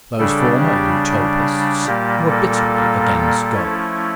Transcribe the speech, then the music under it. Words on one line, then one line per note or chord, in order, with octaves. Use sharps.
Those former Utopists were bitterly against gold.
C#3 G3 D4 A4
G4
A#2 G3 A#3 G4
A4
F3 A3 C#4 E4